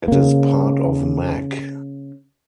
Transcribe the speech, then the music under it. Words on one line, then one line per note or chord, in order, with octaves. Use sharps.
It is part of Mac.
C#3 A#3